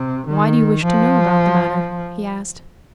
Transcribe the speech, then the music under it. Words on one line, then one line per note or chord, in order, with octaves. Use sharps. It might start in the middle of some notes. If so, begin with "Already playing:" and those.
"Why do you wish to know about the matter?" he asked.
Already playing: C3
D#3
F3